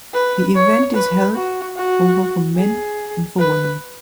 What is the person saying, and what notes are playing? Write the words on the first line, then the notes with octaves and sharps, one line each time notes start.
The event is held over for men and for women.
B4
C#5
B4
F#4
F#4
G#4
B4